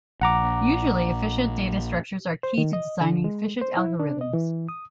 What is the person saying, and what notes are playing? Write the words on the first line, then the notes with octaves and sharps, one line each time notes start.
Usually, efficient data structures are key to designing efficient algorithms.
A#1 F#5 A#5 D6
C5
D#3
D#5
D3
G#3
C5
E4
D4
D#5
E3
D#6